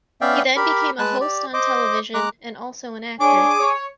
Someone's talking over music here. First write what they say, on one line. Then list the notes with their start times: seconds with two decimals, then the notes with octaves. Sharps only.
He then became a host on television, and also an actor.
0.21 B3 C#4 D5 E5 F5 G5
0.56 G4 A#4 B5
0.99 G#3 B4 A5 F#6
1.20 G4 D5
1.54 C5 D#5 D6
2.14 G#3 A#5 D6 F#6
3.20 D4 G#4 C#5 G#5 D6
3.60 C#5